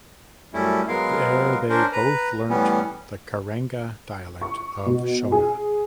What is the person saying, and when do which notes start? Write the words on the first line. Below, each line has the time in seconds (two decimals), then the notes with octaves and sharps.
There they both learnt the Karanga dialect of Shona.
0.54 F#2 G3 A3 C#4 E4
0.88 F#3 G#3 B3 A#4 F5
1.69 C#4 D4 A#4 C5
1.92 B4 A#5
2.49 A2 E3 G3 B3 C#4
4.42 C#6
4.86 B2
5.32 G#4